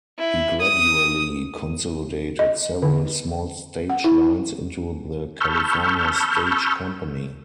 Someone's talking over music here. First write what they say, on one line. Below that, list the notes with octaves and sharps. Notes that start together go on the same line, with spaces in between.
He gradually consolidated several small stage lines into the California Stage Company.
E4
D#6
D#5
D3
F#5
E4
A5 B5 C#6 E6 F6 G6